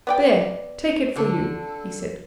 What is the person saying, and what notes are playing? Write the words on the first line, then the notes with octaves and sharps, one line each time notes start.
"There, take it for you," he said.
B3 D5 G5
D3 A4